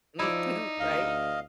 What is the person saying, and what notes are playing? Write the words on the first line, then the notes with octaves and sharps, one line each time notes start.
Mhm, right?
F3 D#4 E4 D5
D2 D#5 F5